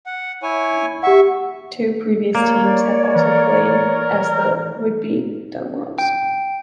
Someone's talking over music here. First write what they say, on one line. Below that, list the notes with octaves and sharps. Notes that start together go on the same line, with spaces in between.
Two previous teams have also played as the Whitby Dunlops.
F#5
E4 C#5 G#5
G4 E5 F#5 C#6
A#3 C#5 D5
E3 A#4
G5